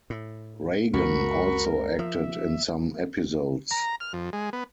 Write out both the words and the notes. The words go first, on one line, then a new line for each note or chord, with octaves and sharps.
Reagan also acted in some episodes.
A2
C#2 F#2 F#4 A#4 B5 C#6
F3 E5
A#5
F6
F2
G#3
B3